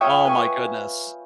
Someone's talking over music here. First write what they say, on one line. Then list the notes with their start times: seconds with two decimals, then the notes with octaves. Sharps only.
oh my goodness.
0.01 F4 C#5 E5 G5 C#6 D#6
0.25 B4 G#5 C#6